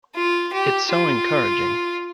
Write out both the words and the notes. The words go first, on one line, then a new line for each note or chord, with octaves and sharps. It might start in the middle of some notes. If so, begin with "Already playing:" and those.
It’s so encouraging.
F4
G4
F4